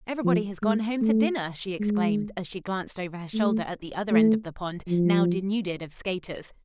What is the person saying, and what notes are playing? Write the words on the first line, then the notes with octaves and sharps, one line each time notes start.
"Everybody has gone home to dinner!" she exclaimed, as she glanced over her shoulder at the other end of the pond, now denuded of skaters.
F3
G#3
A3
G#3
A3
A3
F3